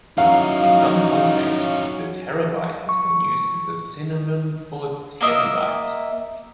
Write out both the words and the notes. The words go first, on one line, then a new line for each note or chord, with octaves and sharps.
In some contexts, the terabyte has been used as a synonym for tebibyte.
F#3 C#4 D#4 E4 F5
C#6
A#3 A#4 D#5 E5